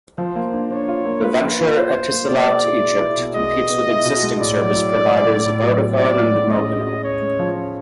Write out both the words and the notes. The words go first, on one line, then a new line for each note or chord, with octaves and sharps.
The venture, Etisalat Egypt, competes with existing service providers Vodafone and Mobinil.
F3 C5
A#3
D4
D4 C#5
F4
A#3
F4 B4
F3
F4
F4 C5
F4
A#3
B2 D5
G#3
E4
G#3
E4
B2
G#3 D#5
B3
B3
E4
B2
G#3
A2 D5
F#3
A2
A2
A2
A2
A2
F#3
B3
A2 D5
A2
A2
C#4 D#5
G#3
C#4
C#4 C#5
G#3
F3
C#4